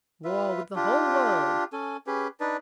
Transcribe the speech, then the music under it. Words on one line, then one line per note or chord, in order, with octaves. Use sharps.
War with the whole world!
F4 B4 E5
D4 F4 G4
C#4 A4 G#5
C#4 G4 G#4 B4
D4 D#4 B4 D5